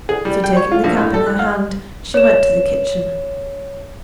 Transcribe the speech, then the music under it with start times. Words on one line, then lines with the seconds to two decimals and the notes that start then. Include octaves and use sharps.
So, taking the cap in her hand, she went to the kitchen.
0.09 G#4
0.25 G3
0.44 G5
0.57 C#5
0.71 F4
0.84 A#1
0.97 A2
1.14 A4
1.26 F#6
1.39 F5
2.14 C#5 E7